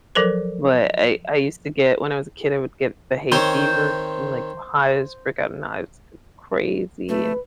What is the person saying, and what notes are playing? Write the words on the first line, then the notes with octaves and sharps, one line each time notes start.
but I I used to get when I was a kid, I would get the hay fever and, like, hives, break out in hives c crazy and
F3 F#3 A4 A#4 C5
D#3 C4 C5 C#5
A3 B4